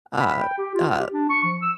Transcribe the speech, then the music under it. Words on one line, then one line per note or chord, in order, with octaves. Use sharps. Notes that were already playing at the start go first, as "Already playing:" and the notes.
uh uh
B5
G5
G4
F4
G4
D4
C#6
F3
E6